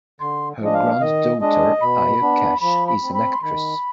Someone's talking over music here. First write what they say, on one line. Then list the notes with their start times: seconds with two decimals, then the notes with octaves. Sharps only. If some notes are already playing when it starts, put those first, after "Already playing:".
Her granddaughter Aya Cash is an actress.
0.20 D3 C6
0.60 F3 G#3 D4 D#5
0.74 F5
1.01 D#3 D#5
1.41 G#3 D4 D#5
1.82 B2 B5
2.22 B3 D4
2.61 F3 B5
2.88 B5
3.02 C4
3.15 B5
3.33 C6
3.42 D#3 B5